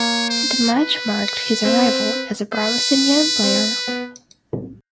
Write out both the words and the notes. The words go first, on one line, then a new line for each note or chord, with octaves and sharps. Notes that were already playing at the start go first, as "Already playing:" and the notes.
The match marked his arrival as a promising young player.
Already playing: A#3 C#5
C5
B4
C4
B4
C4
B3